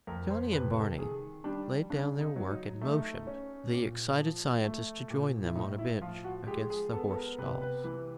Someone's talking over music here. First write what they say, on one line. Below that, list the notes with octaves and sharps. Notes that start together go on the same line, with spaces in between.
Johnny and Barney laid down their work and motioned the excited scientist to join them on a bench against the horse stalls.
F2 A#4
C5
C3 B4
A4
D#3 G#4
G3 D4
C#3 D4
D#4
F#3
D#4
A3 D#4
C#4
A#2
F3
A3
A#2
E4
A2 D#4
E4
F3 F4
F#4
G#3 G4
G#4
B3 A4
A4
A#4
C3 B4
B4
E3 B4